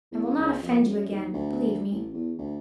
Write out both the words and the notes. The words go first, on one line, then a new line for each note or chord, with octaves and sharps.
I will not offend you again, believe me.
E2
C#2
F2
F#2
D#2
D2
A1
E2
D2